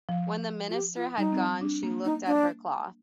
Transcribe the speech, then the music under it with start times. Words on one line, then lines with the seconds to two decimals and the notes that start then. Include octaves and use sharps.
When the minister had gone, she looked at her cloth.
0.09 F3
0.70 F4
0.74 G4
0.96 F4
1.18 G3 D#4
1.32 C4
1.61 D4
1.83 A#3
2.05 D#4
2.26 D4